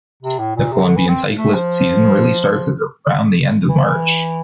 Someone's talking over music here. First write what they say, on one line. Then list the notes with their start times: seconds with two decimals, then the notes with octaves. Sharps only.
The Colombian cyclist season really starts at around the end of March.
0.22 C3
0.39 A2
0.56 A#2
0.72 C3
0.84 D3
0.97 E3
1.09 C4
1.37 A3
1.54 F3
3.68 E3
3.76 F3
3.84 E3